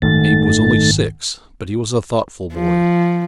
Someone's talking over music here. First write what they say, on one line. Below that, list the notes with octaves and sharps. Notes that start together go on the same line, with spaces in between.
Abe was only six, but he was a thoughtful boy.
G#1 F#2 D#3 A3 A6
F3